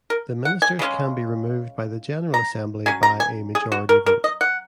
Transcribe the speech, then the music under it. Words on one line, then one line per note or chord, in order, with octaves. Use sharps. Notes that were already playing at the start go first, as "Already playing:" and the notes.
The ministers can be removed by the General Assembly by a majority vote.
A#4
F#5
G#5
C#3 G#3 C#4
A#5
F#3 C#4 G#5
A#5
G#5
G#4
F#4
A#4
A#4
D#5
F#5